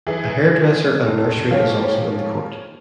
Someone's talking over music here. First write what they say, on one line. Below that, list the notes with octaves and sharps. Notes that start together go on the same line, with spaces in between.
A hairdresser and nursery is also in the court.
E3 G#4
F1
F3 A#3 C#4 G4